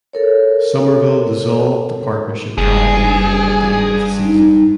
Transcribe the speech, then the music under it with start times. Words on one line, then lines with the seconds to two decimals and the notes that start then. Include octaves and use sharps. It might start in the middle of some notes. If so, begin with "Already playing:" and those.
Somerville dissolved the partnership via email at the end of the season.
0.13 A4 A#4 C#5
2.58 F#1 D2 G2 G#4
4.25 D#4